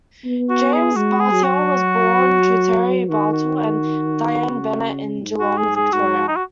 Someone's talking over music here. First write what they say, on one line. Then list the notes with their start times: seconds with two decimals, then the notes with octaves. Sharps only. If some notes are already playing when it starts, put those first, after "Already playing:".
James Bartel was born to Terry Bartel and Dianne Bennett in Geelong, Victoria.
0.25 B3
0.49 F#4
0.73 G#4
0.96 G#3 F#4
1.20 G#4
1.32 F#3
1.43 F#4
3.09 D#3 F#4
3.33 F#4
3.57 F#4
4.51 C#3
5.22 G#2
5.40 F#4
5.57 G#4
5.76 G#4
5.92 G#2 F#4
6.28 D#4
6.36 F#4